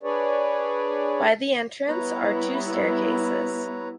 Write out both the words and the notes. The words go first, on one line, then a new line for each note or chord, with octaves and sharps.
By the entrance are two staircases.
D4 G#4 B4 C#5 D5
G3 B3 E4 B4 C#5 A#5